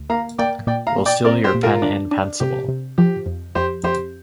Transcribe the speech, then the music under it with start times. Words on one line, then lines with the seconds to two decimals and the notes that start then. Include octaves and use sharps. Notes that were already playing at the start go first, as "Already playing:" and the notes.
We'll steal your pen-and-pencible.
Already playing: D2
0.10 A#3 F5 A#5
0.38 A#3 D5 G5
0.67 A#2 D5 G5
0.87 F5 A#5
0.97 A#2
1.06 D5 G5
1.24 C4 A#4 D5
1.44 G4 C5
1.54 A#2
1.63 F4 A#4
1.82 D4
2.11 D4
2.40 C3 G4
2.68 C3
2.98 F3 G4
3.26 F2
3.55 F2 G4 C5
3.84 F2 G4 C5